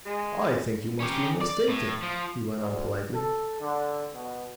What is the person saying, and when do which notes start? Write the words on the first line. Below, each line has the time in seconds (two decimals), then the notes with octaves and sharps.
"I think you must be mistaken," he went on politely.
0.04 G#3
1.00 C#4 G4
1.41 D5
1.69 A2
2.02 F3
2.57 D2
3.15 A4
3.61 D3
4.15 B2